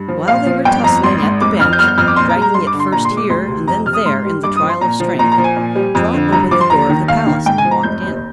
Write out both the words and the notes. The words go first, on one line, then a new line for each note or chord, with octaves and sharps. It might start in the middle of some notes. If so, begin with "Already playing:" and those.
While they were tussling at the bench, dragging it first here and then there in the trial of strength, Trot opened the door of the palace and walked in.
Already playing: G2
F3
A#2 F5
F3
G1 G5
F2 A#5
G#1 C6
G#2
F1 D6
F2 F6
G6
G1 F6
G6
F2 F6
D6
A#2 C6
A#5
G#3
A#5
G2 C6
D6
D3
C6
A#2 A#5
C6
G#3
D6
D2 C6
C3
F2 A#5
C3 F6
D#6
G#2 C6
G3
G2 D6
D#6
F3
C6
A#2 A#5
F3
A#2 A#5
A#5
F3
G#5
A#2
G3
F2
D3
G2 A#5
F3 D6
C6
D#2 A#5
D#3
D#2 F5
D#3
G#2 G5
G#5
F3
A#5
F1 G6
D#2